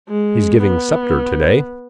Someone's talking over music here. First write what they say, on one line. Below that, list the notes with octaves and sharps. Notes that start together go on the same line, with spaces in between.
He's giving Sceptre today.
G#3
B3